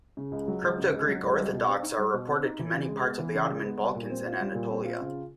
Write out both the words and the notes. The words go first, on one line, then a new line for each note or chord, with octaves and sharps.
Crypto-Greek Orthodox are reported to many parts of the Ottoman Balkans and Anatolia.
C#3
C#2
F#3
C#2
C#3
C#2
F#3
C#2
G3
B2
C4
D#4
G3
B2
C4
D#4
E3
C#3
G#3
B3
E3
C#3
G#3
B3
G3
A#2
C4
F4
G3
A#2
C4
F4
C#3